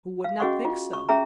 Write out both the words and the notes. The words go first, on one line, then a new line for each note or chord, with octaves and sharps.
Who would not think so?
F5
C#4 F#4 G#4 D#5 F#5 C#6
F4
C#6
C#4 G#4 E5 A#5